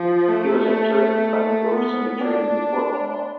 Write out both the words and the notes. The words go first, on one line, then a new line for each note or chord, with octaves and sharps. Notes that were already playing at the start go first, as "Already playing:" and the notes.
He was interred in Pine Grove Cemetery, Newport, Vermont.
Already playing: F3
A3
B3
D4